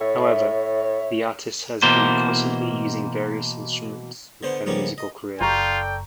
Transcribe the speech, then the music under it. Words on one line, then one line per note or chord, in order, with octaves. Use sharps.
However, the artist has been constantly using various instruments in her musical career.
A2 C#5 E5
B2 E3 A#3 C5
D3 B3 C5
C#3 F3 G3 A#3 B3
D#5
F#1 F4 A4 D5 G5 A#5 C#6 G6